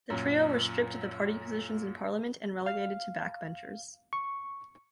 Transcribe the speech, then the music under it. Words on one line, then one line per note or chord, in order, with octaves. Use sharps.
The trio were stripped of the party positions in Parliament and relegated to backbenchers.
F#2 A#2
F5
C#6